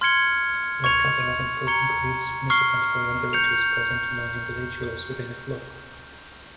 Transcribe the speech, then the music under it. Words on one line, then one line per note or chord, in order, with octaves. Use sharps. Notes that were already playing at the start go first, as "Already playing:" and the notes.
Like other unimproved breeds, significant variability is present among individuals within a flock.
C6 F6 G#6 C#7 G7
C#6 G#6 C#7 F7
A#5 C#6 G#6 C#7 G7
C#6 F6 C7 G7
G6 C#7 F7